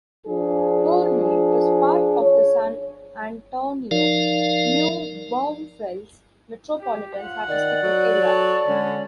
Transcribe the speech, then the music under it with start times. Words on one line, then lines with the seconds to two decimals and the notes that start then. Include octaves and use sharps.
Boerne is part of the San Antonio-New Braunfels Metropolitan Statistical Area.
0.28 F3 D4 G#4
2.21 C#5
3.91 F3 D#4 A#4 D5 F5
6.80 G4
7.18 F4 F#5
7.48 D#3 D5
7.83 F#3
8.22 A4 C#5 A5
8.67 D3 G#3 C#4